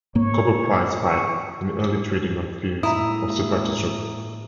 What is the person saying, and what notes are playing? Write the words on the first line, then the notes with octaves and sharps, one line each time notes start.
Copper prices spiked in early trading, on fears of supply disruption.
G#2 A#3 C#5
C#6
A2 G#3 A#3 E4 E5 A#5 D#6